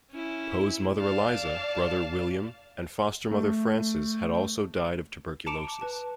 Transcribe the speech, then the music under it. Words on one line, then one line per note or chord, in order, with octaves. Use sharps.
Poe's mother Eliza, brother William, and foster mother Frances had also died of tuberculosis.
C#4 E4
D5 F5 A5
A3
A5 A#5 D6 C#7 D7 E7
B4 A5